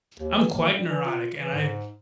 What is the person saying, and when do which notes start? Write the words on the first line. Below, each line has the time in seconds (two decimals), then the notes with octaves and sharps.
I'm quite neurotic, and I
0.19 D#2
0.36 E3
0.52 A#3
0.73 G3
0.90 E3
1.05 F4
1.40 E3
1.54 G#2